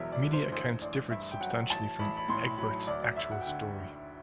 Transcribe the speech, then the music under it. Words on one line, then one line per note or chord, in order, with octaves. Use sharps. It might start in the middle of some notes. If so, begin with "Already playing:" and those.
Media accounts differed substantially from Egbert's actual story.
Already playing: E1 E2 F#3 E5
D5
D3
C5
A1 C5
A1 D5
G2 E5
G5
F#3 F#5
A1 A5
A1 B5
B5
A2 C6
F#3 B5
D2 D5
D5
D2 E5
F#5
G5
D3 F#5